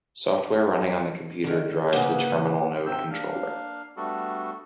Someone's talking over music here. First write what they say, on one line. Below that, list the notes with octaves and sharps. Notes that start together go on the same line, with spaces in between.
Software running on the computer drives the terminal node controller.
D3 D#3
G#2 C#3 A#3 B4 F#5 D6
G#2 C3 C4 E6 G6
A#3 D4 F5 F6
G3 A3 B3 D4 F#4 A4